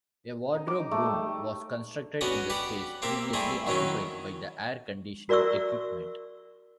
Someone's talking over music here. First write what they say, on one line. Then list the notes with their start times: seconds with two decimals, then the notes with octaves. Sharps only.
A wardrobe room was constructed in the space previously occupied by the air-conditioning equipment.
0.54 D#4
0.68 D6
0.79 D#4
0.91 A3
1.06 G3
2.21 B3 C#4 F#4 D5 D#5
2.50 G4 B4 D5 F#5
3.02 A#3 C4 G4 E5
3.33 G3 A3 C4 E4 G4 G#4
3.67 D#3 F#3 C#4 D#4 E4
5.29 F#4 A#4 D5 E5 C#6 E6